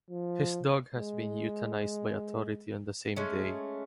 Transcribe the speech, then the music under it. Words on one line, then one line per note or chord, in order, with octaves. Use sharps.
His dog has been euthanised by authority on the same day.
F3
G#3
G#3 A3 C#4